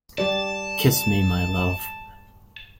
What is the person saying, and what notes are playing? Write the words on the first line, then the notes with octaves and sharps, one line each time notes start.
Kiss me, my love.
G3 G4 D5 A5